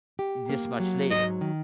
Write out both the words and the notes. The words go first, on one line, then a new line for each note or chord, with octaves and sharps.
this much later.
G4
A#3
F#3
G#2 D#5
D#3